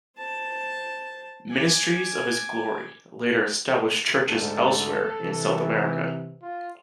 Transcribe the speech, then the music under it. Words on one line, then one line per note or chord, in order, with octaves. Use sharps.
Ministries of His Glory later established churches elsewhere in South America.
C5 A5
G#5 D6
D2 G#2 A4
C3 E3
F4